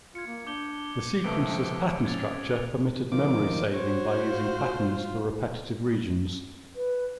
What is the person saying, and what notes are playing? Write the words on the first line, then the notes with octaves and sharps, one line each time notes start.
The sequencer's pattern structure permitted memory saving by using patterns for repetitive regions.
F4 G#6 C#7
A#3
D4 D6 G6 G7
C#2 C3 F3 A3 B4 D7
C#4 G#6 A6 F7
D#3 F3 D6
F#4 C5 C#5
F4
B4